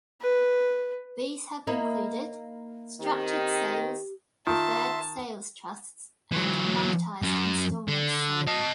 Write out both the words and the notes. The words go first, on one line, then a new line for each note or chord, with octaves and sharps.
These have included: Structured Sales, Deferred Sales Trusts and Monetized Installment Sale.
B4
A#3 D#4 E4
D#3 C4 G4
D#3 F4 E5 A5 C6
E3 F#3
F#2
D3
D#5 A5